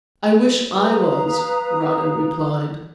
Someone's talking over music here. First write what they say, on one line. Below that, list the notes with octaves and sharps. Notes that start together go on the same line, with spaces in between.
"I wish I was," Rawdon replied.
B4 F5 A#5 D#6